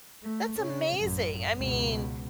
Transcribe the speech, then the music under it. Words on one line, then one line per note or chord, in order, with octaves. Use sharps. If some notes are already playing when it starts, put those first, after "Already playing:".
that's amazing I mean
A3
C#3 C#4
A1 F#2
C#2 B2